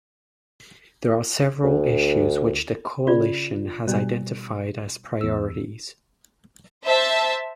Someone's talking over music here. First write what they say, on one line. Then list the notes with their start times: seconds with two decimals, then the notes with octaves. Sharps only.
There are several issues which the Coalition has identified as priorities.
1.64 D2
3.07 C#3 F4 D5
3.87 B2 G3 D4 D#4 C#5
5.21 E2 E6
6.84 C5 E5 A5